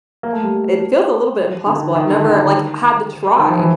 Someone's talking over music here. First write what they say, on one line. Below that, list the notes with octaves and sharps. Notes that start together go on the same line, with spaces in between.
it feels a little bit impossible. I've never, like, had to try.
A#3
A3
G3
D3
D#3
D#3
D3
D#3
D3
D#3
D#3
F3
E3